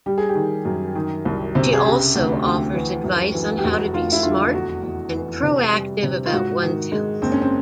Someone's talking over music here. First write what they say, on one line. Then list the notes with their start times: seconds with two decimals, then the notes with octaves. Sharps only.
She also offers advice on how to be smart and proactive about one's health.
0.06 G3 G4
0.18 G#4
0.29 G4
0.35 D#3
0.65 F#2
0.95 D#3
1.25 C2
1.55 C3
1.73 G#4
1.85 C#3 G4
2.15 D2
2.45 D2
2.74 E3
3.04 F#2
3.34 E3
3.58 G4
3.64 F1 F#4
3.94 F1 F4
4.12 E4
4.23 D3 F4
4.53 E2 F#4
4.83 E2
5.13 E3
5.43 C3
5.73 G3
6.03 C3
6.26 F4
6.32 G#2 F#4
6.62 D#3
6.92 G#3
7.22 F#1 C4
7.32 C#4
7.42 C4